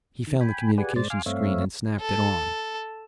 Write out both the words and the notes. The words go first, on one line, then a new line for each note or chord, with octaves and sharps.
He found the communications screen and snapped it on.
D#3
G5 G#5 B5
G4 G#4 B4 D5 F#5 G#5
G#2 G#3 C5 D5 A6
F5 G#5 C6 D6 F6
G2 A3 C4 C#5 E5 F5
A4